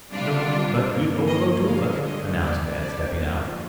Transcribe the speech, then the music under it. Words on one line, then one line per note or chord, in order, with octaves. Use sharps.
"No, but you've overlooked two of us," announced Ned stepping out.
C3 G3 D4 F4 D5
G2 F3 A#3
D#5
G2 D3 G#3 F5
D#5
C3 G3 D4 D5
D5
D#2 D3 F3 D#5